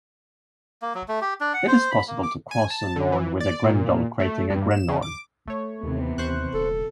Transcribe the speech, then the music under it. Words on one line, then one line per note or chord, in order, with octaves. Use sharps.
It is possible to cross a Norn with a Grendel, creating a 'Grenorn'.
A#3
F#3
A3
G4
D4
F#5
C5
B5
A#3
D6
G#5
A5
D3
E3
D5
A#2
A3
G2
E7
C#3
D6
A3 C#5
D#2 C3 E3 B3
D#2 C5 C#6 F#6
D#1 A4